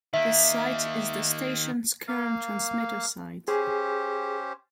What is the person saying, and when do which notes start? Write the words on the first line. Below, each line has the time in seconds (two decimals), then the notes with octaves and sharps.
This site is the station's current transmitter site.
0.14 D#3 A#3 E5
2.08 A#3 F5
3.48 C#4 G4 G#4 C5